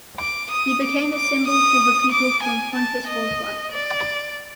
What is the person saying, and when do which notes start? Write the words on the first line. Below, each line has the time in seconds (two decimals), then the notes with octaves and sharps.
He became a symbol for the people from Pontus worldwide.
0.19 D6
0.51 D#6
0.84 D6
1.15 D6
1.47 D#6
2.12 D6
2.43 G#5
2.75 A5
3.07 D#5
3.72 D5